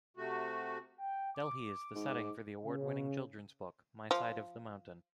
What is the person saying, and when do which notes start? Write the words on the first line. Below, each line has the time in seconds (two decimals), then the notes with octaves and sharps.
Delhi is the setting for the award-winning children's book "My Side of the Mountain".
0.17 C3 A3 F#4
0.98 G5
1.35 D6
1.95 G#2
2.64 C#3
4.11 F3